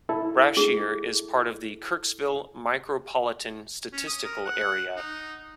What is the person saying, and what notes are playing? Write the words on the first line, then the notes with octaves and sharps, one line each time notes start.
Brashear is part of the Kirksville Micropolitan Statistical Area.
E4 A4
G#4
C#4
D#6
A#4
F#5
D#4